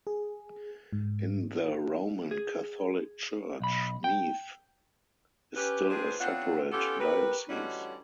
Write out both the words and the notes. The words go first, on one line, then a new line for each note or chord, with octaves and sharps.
In the Roman Catholic Church, Meath is still a separate diocese.
G#4
G#2
G#4
B1 B5
G5
C#4 G4 B4
C4 D4 F4 G#4 B4 C5
B3 C4 D4 F4 C#5 F#5
B3 C#4 F4 G4 A4
F#4 G4 A#4 B4
D2 E3 G3 C#4 D#4 F#4